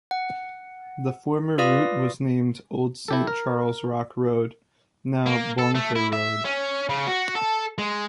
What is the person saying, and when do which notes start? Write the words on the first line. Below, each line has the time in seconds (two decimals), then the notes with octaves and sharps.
The former route was named Old Saint Charles Rock Road, now Boenker Road.
0.11 F#5
1.58 F4 B4 D5 F5 D#6 A#6
3.08 E4 G4 A4
3.27 A#4
5.26 A#3
5.58 A4
5.75 A3
5.96 E4
6.13 E5
6.45 C#4
6.89 C#3
7.07 F#4
7.35 A4
7.78 G#3